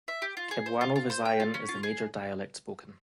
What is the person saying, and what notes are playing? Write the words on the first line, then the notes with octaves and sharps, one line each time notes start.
Cebuano-Visayan is the major dialect spoken.
E5
G4
F4
G#4
C5
F4
F4
C5
G5
F4
C#4
F4
G#4